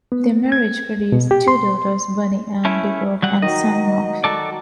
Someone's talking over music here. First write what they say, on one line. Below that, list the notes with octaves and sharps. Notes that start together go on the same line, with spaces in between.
Their marriage produced two daughters, Bunny and Deborah, and a son, Marc.
B3
G#6
B2
G4
C6
A3 C#4 E4
F#3 G3 F#5
D#3 F#3 D#5
F#4 A4 D5